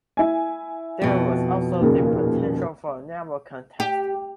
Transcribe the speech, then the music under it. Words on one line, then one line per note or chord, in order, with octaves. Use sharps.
There was also the potential for a naval contest.
E4 G#5
F2 B2
D#2 A#2 C#3
G4